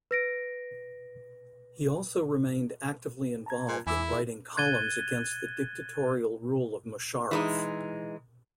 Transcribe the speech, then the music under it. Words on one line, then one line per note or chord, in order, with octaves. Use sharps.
He also remained actively involved in writing columns against the dictatorial rule of Musharraf.
B4 A#6 D7
A5 A#5 G#6
A#2
E2 E4 G#5 D6 E6
G#4 A#4
F#6 G#6 A6 D#7 G7
E3 G#3 D#4